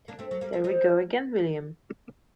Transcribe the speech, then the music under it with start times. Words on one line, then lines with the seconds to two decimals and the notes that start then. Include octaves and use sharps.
There we go again, William!
0.08 A#3 D4
0.19 A3 C4
0.31 F#3 A3
0.41 G3 A#3
0.53 A3 C4
0.64 C4 D#4